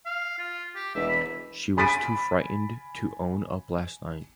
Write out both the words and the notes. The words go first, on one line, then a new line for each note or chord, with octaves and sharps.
She was too frightened to own up last night.
F5
F4
G4
E1 E5
B5
G#5 B5 A6 B6 D7 D#7